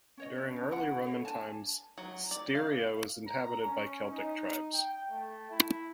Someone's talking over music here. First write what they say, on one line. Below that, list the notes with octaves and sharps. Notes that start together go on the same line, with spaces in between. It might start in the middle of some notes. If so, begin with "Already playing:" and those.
During early Roman times, Styria was inhabited by Celtic tribes.
C#4 C#5 D#5
C#4
D4
E4 F#5 B5
A4 C#5
D4 G#5 A5
F#3
D5
F5
A#5
C#4
D#4
G5
A3
E4